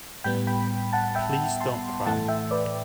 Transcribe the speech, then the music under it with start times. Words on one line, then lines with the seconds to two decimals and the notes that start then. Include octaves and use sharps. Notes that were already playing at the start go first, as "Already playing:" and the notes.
Please don't cry.
0.24 A2 G3 B3 G5 B5
0.47 G5 B5
0.93 F#5 A5
1.15 E5 G5
1.61 A5 C6
2.05 A2 E3 A3 F#5 A5
2.28 E5 G5
2.51 B4 D5